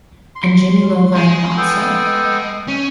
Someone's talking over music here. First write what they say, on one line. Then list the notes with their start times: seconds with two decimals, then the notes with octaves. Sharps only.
And Jimmy Iovine thought so.
0.36 C6
1.16 G#3
1.57 B3 A4 G5
2.68 C#4